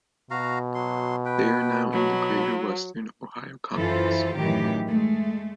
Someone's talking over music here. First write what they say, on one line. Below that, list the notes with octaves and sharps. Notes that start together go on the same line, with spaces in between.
They are now in the Greater Western Ohio Conference.
B2 F#4 F5 A#5
F#3 C6
B4 G5
F#3 B5
F#2 E3 F4 A4 C5
F#2 A2 D#3 E3 G4
G#3 A3